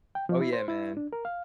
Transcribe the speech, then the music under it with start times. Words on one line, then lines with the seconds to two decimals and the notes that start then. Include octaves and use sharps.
Oh, yeah, man.
0.15 G5
0.29 F3
0.41 E4
0.53 C5
0.68 E4
0.97 D4
1.13 A#4
1.25 F5